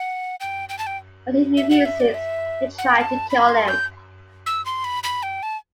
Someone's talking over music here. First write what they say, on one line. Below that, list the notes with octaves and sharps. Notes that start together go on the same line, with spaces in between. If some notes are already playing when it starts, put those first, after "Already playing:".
When he refuses, they try to kill him.
Already playing: F#5
G5
G5
A5
G5
E5
F#5
E5
D5
E5
F#5
G5
A5
B5
C6
G6
E6
C6
B5
B5
G5
A5